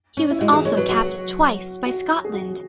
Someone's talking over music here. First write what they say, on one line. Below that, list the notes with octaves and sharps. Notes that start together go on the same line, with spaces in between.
He was also capped twice by Scotland.
C#4
E4
G#3 F#4
E3 G#4
G#3 C#5
F#3 B4
F#3 F#4
F#4
G#4
F#4